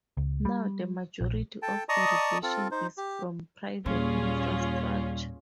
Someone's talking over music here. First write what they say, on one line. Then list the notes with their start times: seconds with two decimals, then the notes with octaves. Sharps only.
Now the majority of irrigation is from private infrastructure.
0.17 C#2
0.45 G3
1.21 A#1
1.62 A4 G5 A5
1.89 D5 D#5 A5 A#5 C#6 D#6
2.43 C4 F4 A4
2.71 D#4 C5
2.97 G4
3.86 D#2 A#2 G3 C#4 F4 G#4